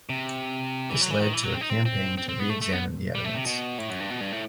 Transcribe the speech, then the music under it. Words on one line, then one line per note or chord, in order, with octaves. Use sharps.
This led to a campaign to re-examine the evidence.
C3
E3
F#3
E3
D#3
E3
F#3
C4
D#4
C4
C4
C4
C4
B3
A3
A3
B3
G3
A3
C3
B2
A2
F#2
G2
B2
G2
A2